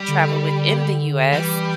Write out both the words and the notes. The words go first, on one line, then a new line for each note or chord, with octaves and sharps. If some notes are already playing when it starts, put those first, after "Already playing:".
traveled within the US,
Already playing: G3
D3
E3 G3